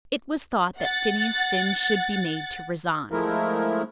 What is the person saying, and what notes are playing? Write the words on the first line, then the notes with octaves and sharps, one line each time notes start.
It was thought that Phineas Finn should be made to resign.
F#5 A6
F3 G#3 A3 E4 A#4